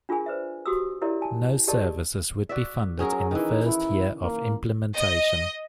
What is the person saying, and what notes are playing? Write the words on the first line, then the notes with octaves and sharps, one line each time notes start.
No services would be funded in the first year of implementation.
D4 F4 G#4 A#4 G#5
B4 C5 D5 E5
F#4 G4 D#6 E6
E4 G4 A#4 C#5 D5 E5
G#5 A5
G4 G#4 A#4 D5 D#5 A5
F#4 D5 E5
F#3 C#4 G#4 A#4
D#3 E3 D#4
E4
A#3
D#5